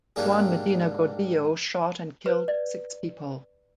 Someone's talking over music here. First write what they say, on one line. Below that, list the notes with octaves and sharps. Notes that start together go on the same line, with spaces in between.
Juan Medina Gordillo shot and killed six people.
G#2 G3 A#3 D4 G#4
B4
D5